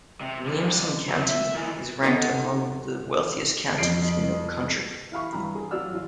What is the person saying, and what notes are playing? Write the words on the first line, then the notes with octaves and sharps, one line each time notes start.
Williamson County is ranked among the wealthiest counties in the country.
C3
F2 D3
E2 F#3
E5
D#3 E3
B3 C#4 D#4 F#4 A4 C#5
F2 D#5 C7 D7
E4 F5 B5 C#6
G2 E3 A#5 B5
G#4
F#3 F4 F#4 D5 E6 F6
A1 F4